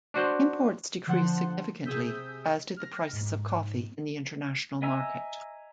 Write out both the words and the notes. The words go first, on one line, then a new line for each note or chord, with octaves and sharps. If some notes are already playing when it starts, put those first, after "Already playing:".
Imports decreased significantly, as did the prices of coffee in the international market.
D4 F#4 C5
D3 F3 C5 F#5 A5 C6
C3 G#4 D#6 E6 G6 B6
F6 A#6
G#2
D#5 E5 G#5 A#5 E6